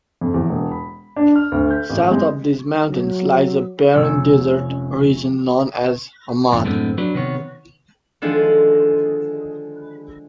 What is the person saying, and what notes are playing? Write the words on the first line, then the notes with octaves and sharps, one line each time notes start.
South of these mountains lies a barren desert region known as the Hamad.
F2
E2
E1
B5
D4
F6
D2
G6
A1
G#3
F#3
F1 C#4 E6
E2 G2
F#2 A2 D3 G#3 B3 C4
F#3 D4 B4
C3 D#3 B3 C#5
D3 D#3 F3 G#3